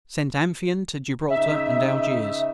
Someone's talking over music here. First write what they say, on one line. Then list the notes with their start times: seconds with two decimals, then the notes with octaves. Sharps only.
Sent Amphion to Gibraltar and Algiers.
1.30 C#3 D#4 E5